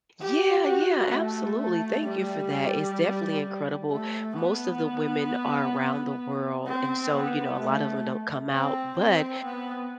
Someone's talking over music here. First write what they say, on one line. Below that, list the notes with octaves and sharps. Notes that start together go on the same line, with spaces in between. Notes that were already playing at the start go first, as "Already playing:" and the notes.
Yeah, yeah, absolutely, thank you for that. It's definitely incredible, most of the women are around the world, and so, you know, a lot of them don't come out, but
G4
F#4
A3
A3
G3
A3
B3
C4
B3
A3
C4
C4
B3